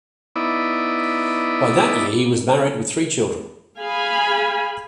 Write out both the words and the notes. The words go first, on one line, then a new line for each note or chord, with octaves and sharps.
By that year he was married with three children.
B3 D#4 E4 D5
G#4 F5 G#5 B5